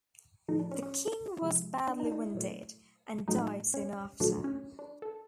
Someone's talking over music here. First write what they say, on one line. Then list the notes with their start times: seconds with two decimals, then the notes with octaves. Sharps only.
The king was badly wounded, and died soon after.
0.48 A2 F3 A3 D#4
0.60 D4
0.71 C#4
0.83 C#4
1.41 C3 F3 G#3
1.88 D4
2.00 D#4
2.06 D4
2.12 D#4
2.23 E4
2.34 A#2 F#3 A3
3.28 A2 F#3 A3 D#4
3.74 C#4
4.20 A#2 F#3 A3 D4
4.44 C#4
4.79 D4
5.02 A4